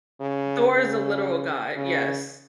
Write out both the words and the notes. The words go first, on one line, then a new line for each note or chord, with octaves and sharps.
Thor is a literal god, yes.
C#3
C#3
C#3